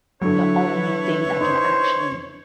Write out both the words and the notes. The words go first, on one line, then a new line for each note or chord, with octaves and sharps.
the only thing that can actually
D3 F#3 D4 E4 B4 C#5
D#4 C5